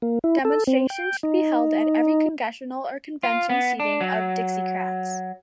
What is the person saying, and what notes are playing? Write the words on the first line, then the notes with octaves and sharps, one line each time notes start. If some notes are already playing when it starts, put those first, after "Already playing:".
Demonstrations should be held at every Congressional or convention seating of Dixiecrats.
A#3
E4
A4
C4
G5
D#4
F4
B3
D4
F#3